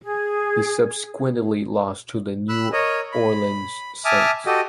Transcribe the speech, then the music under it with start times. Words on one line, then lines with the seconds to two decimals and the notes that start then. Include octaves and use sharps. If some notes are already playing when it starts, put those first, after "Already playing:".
He subsequently lost to the New Orleans Saints.
0.02 G#4
2.49 B5 E6 F#6
2.73 A#4 C#5 D#5
3.12 B5
4.05 E5 G#5 A5 D6 D#6 F6
4.46 F#4 G4 A4 D#5